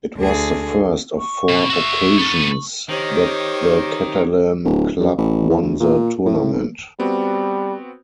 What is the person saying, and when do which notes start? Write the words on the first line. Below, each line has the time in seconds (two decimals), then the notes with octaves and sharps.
It was the first of four occasions that the Catalan club won the tournament.
0.17 D2 G#4
1.18 C#6
1.49 B2
1.70 F#4 E5
2.18 B3 A4
2.89 D#3 G4 C5 C#5
4.65 D1
5.00 F#2
5.18 A1
5.50 E2
5.62 D2
5.80 A#2
6.26 A2
6.53 G#1
7.00 G3 B3 C4 F#4